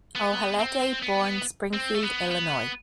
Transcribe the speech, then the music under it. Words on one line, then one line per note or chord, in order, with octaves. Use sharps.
Ohalete born Springfield, Illinois.
B3
C4
B3
C4
A3
B3
B3